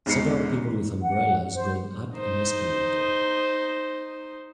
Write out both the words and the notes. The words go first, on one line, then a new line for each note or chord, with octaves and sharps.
Several people with umbrellas going up an escalator.
G#1 E2 G#2 C7 C#7
F#5
C5
D#4 C5